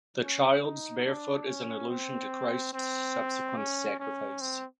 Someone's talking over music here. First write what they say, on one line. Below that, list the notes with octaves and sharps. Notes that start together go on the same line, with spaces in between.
The child’s bare foot is an allusion to Christ’s subsequent sacrifice.
C#4
D#4
D4
C#4
C4
C4
C#4
C#4
C4